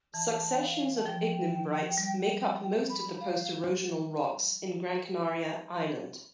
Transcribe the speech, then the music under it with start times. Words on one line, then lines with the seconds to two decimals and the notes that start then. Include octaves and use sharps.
Successions of ignimbrites make up most of the post-erosional rocks in Gran Canaria Island.
0.14 E3 A5
0.60 F5
0.97 A5
1.06 F3 G5
1.98 G3
2.90 B5
3.20 F5